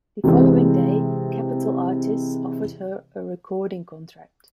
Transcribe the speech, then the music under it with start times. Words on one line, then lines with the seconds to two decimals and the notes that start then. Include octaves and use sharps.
The following day, Capital Artists offered her a recording contract.
0.24 C3 E3 G#3 C4